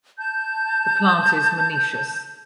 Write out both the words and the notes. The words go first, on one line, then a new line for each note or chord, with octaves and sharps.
The plant is monoecious.
A5 G6